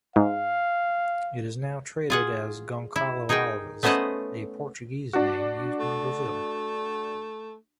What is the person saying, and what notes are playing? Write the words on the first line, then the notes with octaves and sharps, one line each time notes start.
It is now traded as goncalo alves, a Portuguese name used in Brazil.
G#2 F5
F4 G#4 F#5
E4
D#4 G#4 A#4 D#5 G5
A3 B3 C#4 C5 D#5 F#5
D4 F#4
A3